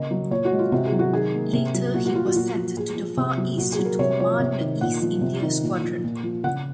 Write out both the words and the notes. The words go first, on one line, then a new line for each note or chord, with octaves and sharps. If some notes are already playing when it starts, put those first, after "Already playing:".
Later he was sent to the Far East to command the East India Squadron.
Already playing: C#3 A#3 D#5
F#3
A#2 C#5
F#4
G#3
F4
C3 F#4
G#4
F#3
F#4
D#3 G#4
A#3
C3
F#3
A#2 F#4
F#4
F#3 F4
F#4
A#2 F#4
F3
A#2 G#4
F3
C3
F#3
A#2 F#4
G#4
F#3
A#4
C3 C#5
F3 C#5
C3
D#3
A#2 F#5
F3
C3
D#3
A#2
F3
A#2
F3
C#3 F#5